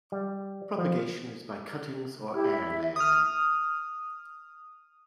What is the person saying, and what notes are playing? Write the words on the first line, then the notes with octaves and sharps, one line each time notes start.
Propagation is by cuttings or air layering.
G3
F3
E4 G4
E5
D#6 F6